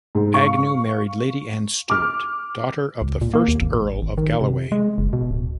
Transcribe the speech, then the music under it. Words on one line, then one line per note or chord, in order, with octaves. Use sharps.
Agnew married Lady Anne Stewart, daughter of the first Earl of Galloway.
G#2
F5 C#6
D6 F6
C#2
A#2
A#3
D#2
G#1
G#1
D#3
C3
G#3
F#1
B2
D1